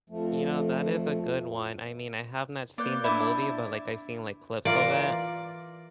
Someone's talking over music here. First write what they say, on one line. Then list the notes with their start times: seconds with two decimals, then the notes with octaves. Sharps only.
You know that is a good one. I mean, I have not seen the movie, but like I've seen like clips of it.
0.10 F2 F3 A3
2.78 A#3 B4 D5 G6
3.04 D4 E4 D5 D6
4.65 E3 F4 A#4 D5